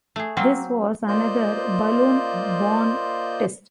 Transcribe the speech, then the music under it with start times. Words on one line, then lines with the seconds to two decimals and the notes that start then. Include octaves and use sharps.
This was another balloon-borne test.
0.16 A3 G#4
0.37 F#3 A#3 C4
1.08 A#3 F4 C5 D5 D#5 G6